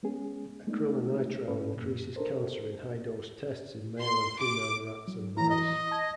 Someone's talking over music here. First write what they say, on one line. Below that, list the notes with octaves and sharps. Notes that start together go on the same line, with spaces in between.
Acrylonitrile increases cancer in high dose tests in male and female rats and mice.
G#3 B3 C#4 G#4
G#3 A3 B3 D4 D#4
G#2 C#4 A4 B4
F#2 A#2
D4 A4 A#4 C5
C6
D6
F#3
E3 E4 A#5
D#5
A5 G#6